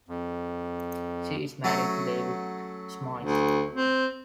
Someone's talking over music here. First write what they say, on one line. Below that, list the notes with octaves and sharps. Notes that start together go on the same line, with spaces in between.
She is married to David Shmoys.
F2
F#3 A3 C#4
D2
C4